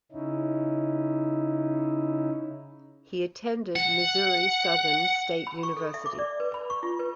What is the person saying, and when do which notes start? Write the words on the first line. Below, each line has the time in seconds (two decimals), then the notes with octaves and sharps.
He attended Missouri Southern State University.
0.12 C#3 C#4 D#4 E4
3.76 F#5
5.47 B5
5.63 C#6
5.77 A4
5.94 E5
6.06 D6
6.18 D5
6.40 B4
6.54 B5
6.70 C#6
6.83 F4
6.99 B4